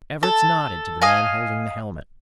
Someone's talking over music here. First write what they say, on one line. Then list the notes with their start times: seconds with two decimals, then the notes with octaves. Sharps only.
Everts nodded to the man holding the helmet.
0.23 A4
1.02 D#5 F5 G#5